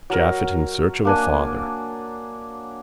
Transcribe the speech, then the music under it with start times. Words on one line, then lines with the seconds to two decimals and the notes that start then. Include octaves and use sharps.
Japhet in search of a father!
0.10 F#3 A#4
1.05 A#3 D4 G#5